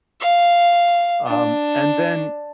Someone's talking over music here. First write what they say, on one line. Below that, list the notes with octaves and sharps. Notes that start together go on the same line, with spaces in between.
Um, and then
F5
D4